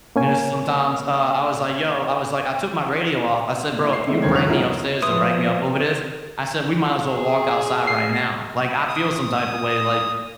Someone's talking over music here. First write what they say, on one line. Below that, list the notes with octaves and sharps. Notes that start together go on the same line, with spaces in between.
And then sometimes, uh, I was like, "Yo" I was like, "I took my radio off," I said, "Bro, if you bring me upstairs to write me up over this," I said, "We might as well walk outside right now, like, I feel some type of way, like"
A#3 C#4 G#5
A#3 E4
C7
G#3 A3 B3 C4 D#4 E4
E1 D3 D#3 C5 C#5 G#6
E1 F#2 C#5 F#5 F#6 F7
G#2 A#3 E4 F4 G#4
F3 B4 E5 C6 D#6
G#4
C7
D#6